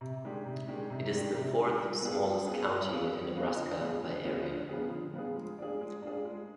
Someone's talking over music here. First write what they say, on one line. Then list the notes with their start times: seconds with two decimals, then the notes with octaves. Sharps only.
It is the fourth-smallest county in Nebraska by area.
0.01 C3
0.24 D#3 G#3 D4 G4
0.46 C3
0.68 D#3 G#3 D4 G4
0.90 C3
1.12 D#3 G#3 D4 G4
1.36 C3
1.58 D#3 G#3 D4 G4
1.80 G3
2.02 B3 F4 G#4
2.24 G3
2.47 B3 F4 G#4
2.69 G3
2.90 B3 F4 G#4
3.14 G3
3.35 B3 F4 G#4
3.58 D3
3.80 F3 B3 F4 G#4
4.03 D3
4.25 F3 B3 F4 G#4
4.48 D3
4.69 F3 B3 F4 G#4
4.91 D3
5.14 F3 B3 F4 G#4
5.36 G#3
5.58 D4 F4 G#4
5.81 G#3
6.02 D4 F4 G#4
6.25 G#3